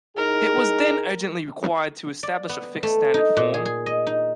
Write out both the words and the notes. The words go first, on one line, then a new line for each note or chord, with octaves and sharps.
It was then urgently required to establish a fixed standard form.
A2 D#4 G#4 A#4
D5
B3
A3
D#4
A#2
G#4
G#4
D#5
D#4